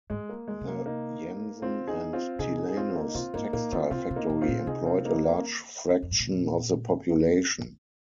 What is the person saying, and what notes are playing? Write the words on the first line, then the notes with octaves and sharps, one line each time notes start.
The Jansen and Tilanus textile factory employed a large fraction of the population.
G#2 G#3
A#3
G#3
C3
A#3
A#3 D#4
C4 F4
D#4 G#4
C4 F4
C3 D#4 G#4
D#4 G#4
G#4
C4 F4
A#3 D#4
D#4
C3 C4 F4
G#2 A#3 D#4
A#2 A#3 D#4
D#3 C4 F4
C3 C4 F4
C3
A#3 D#4
A#2
C4 F4
A#2
C3 D#4 G#4
C4 F4
A#3 D#4
A#3
F2
G#2
A#2